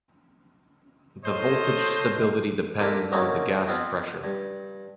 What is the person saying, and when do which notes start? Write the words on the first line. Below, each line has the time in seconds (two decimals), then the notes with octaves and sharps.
The voltage stability depends on the gas pressure.
1.25 F4 A4 C5 C#5 D#5
2.80 A#3 C4 D4 E4 A4 A#4
3.12 A3 A#3 C4 C#4 D#4 F#4
3.68 F2 B3 C4 F4 F5
4.24 G2